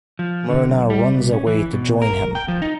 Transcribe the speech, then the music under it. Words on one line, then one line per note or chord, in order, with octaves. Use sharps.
Merna runs away to join him.
F3
D3
B1
G3
C2
C#4
E3
B2
A#4
G5
F3
D#4